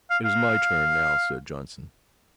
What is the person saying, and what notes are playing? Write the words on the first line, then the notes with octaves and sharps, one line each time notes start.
"It is my turn now," said Johnson.
F5
F5